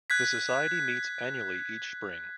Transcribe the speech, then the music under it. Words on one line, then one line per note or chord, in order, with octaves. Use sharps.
The society meets annually each spring.
F#6 G#6 B6